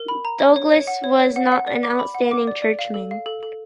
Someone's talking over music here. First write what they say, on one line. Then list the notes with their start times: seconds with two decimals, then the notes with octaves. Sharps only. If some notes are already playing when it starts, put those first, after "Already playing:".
Douglas was not an outstanding churchman.
Already playing: A#4
0.08 B5
0.25 A#5
0.40 C#5
0.56 C#5
0.72 C#5
0.87 F#5
1.04 C#5
1.20 C#5
1.36 F#5
1.52 F#5
1.67 D5
1.83 D6
1.99 B5
2.14 F#5
2.31 D6
2.47 D5
2.62 D5
2.79 F5
2.94 A4
3.11 F5
3.26 A4
3.43 A4